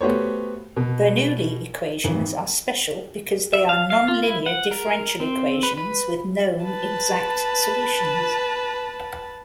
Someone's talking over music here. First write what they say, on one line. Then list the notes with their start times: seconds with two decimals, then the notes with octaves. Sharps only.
Bernoulli equations are special because they are nonlinear differential equations with known exact solutions.
0.01 A3 B3 F#4 G4 C5 C#5
0.77 B2
2.04 G#1 E3
3.53 E5
3.69 F5
3.90 F5
4.08 F4
4.23 E4
4.46 F#5
4.71 A#4
5.20 C4
5.63 B4
5.78 B4
6.64 B4 A5